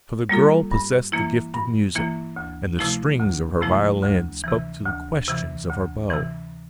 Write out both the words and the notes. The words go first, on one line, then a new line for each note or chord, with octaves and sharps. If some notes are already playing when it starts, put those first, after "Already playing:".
For the girl possessed the gift of music, and the strings of her violin spoke to the questions of her bow.
G3 A#3 F4 A4
G2
E3 A#3 E4
G2
E3 A#3 E4
D2
C3 F3 A3 E4
D2
C3 F3 A3 E4
D2
C3 E3
D2
C3 E3
D2
C3 E3